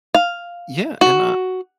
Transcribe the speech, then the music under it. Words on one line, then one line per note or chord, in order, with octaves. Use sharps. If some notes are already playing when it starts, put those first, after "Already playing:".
Yeah, and, uh
F5
F#4